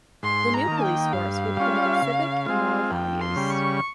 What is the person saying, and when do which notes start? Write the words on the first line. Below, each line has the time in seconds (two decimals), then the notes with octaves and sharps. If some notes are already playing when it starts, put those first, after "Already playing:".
The new police force would promote civic and moral values.
0.23 G#2 C6
0.54 A#5
0.67 D#3 A#3
0.83 G5
1.12 G2 F5
1.57 G3 C#4 F4
2.02 C#3
2.46 G#3 C4 F4
2.91 F2 G5
3.21 C6
3.36 C#3 G3
3.50 C#6